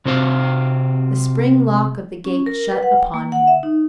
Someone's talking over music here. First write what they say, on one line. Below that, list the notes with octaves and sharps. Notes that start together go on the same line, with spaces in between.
The spring-lock of the gate shut upon him.
C3 C4 F#4 C5 F5
C#4
A#4
B4
F#5
G5
A#3
F#5
E5
D#4